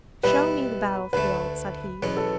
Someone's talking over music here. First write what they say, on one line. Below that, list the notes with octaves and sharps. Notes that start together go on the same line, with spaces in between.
'Show me the battle-field,' said he.
B2 G3 B3 E4 B4
D2 D3 A3 B4
E2 B2 F#3 C#4 B4
A4